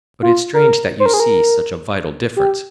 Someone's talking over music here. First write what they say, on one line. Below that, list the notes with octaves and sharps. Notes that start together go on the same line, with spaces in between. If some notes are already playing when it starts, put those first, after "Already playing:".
"But it's strange that you see such a vital difference."
F4
A#4
C5
A#4
G#4
A#4
G4